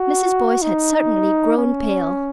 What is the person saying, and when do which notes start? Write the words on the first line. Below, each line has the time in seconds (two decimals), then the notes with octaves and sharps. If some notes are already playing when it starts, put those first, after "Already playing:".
Mrs. Boyce had certainly grown pale.
Already playing: F#4
0.62 D#4
1.57 C#4